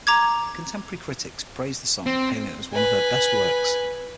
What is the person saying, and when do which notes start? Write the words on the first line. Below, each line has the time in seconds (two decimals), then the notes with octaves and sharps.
Contemporary critics praised the song, hailing it as one of her best works.
0.07 A#5 D6 G#6
2.06 C4
2.73 B4 G#5